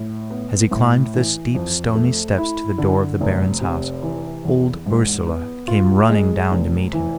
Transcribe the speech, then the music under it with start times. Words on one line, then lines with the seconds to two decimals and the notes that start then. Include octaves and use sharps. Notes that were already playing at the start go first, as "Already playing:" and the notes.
As he climbed the steep, stony steps to the door of the Baron's house, old Ursela came running down to meet him.
Already playing: A2
0.30 B3
0.71 A2
1.14 E3
1.55 F2
1.95 A3
2.38 E4
2.78 D3
3.21 F1
3.61 C3
4.02 E3
4.45 E2
4.86 G#2
5.27 B3
5.68 F4
6.10 G#3
6.52 F1
6.93 E3